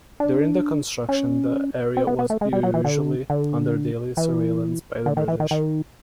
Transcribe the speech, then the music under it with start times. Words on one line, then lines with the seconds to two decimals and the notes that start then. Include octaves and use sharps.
During the construction, the area was usually under daily surveillance by the British.
0.20 D4
1.09 C#4
1.97 C4
2.07 B3
2.19 B3
2.30 A3
2.41 G#3
2.53 G3
2.63 F#3
2.74 E3
2.85 D3
3.30 D3
4.17 E3
5.06 D3
5.17 D#3
5.28 E3
5.40 D#3
5.51 D#3